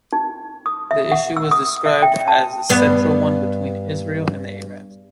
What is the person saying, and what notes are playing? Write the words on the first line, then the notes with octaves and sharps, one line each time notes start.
The issue was described as the central one between Israel and the Arabs.
D#4
D#6
E5
F#5
E6
D#6
E5
G5
A5
G2 B3